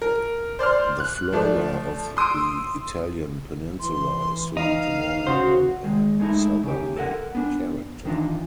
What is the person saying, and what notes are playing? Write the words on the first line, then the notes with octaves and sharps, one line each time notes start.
The flora of the Italian peninsula assumed more and more a southerly character.
A#4
C5 D5 C6 F6
F#6
F3 A3 D5
C6 D#6 E6 D7
E3 C6
D#4 F5
C#3 F#4 C5
D#3 G#3
G#3 A3 D#4 E4
C#3 G4
A4 A#4 D#5 F#5
B3 D4
D#3 E3 D4 D#4 F4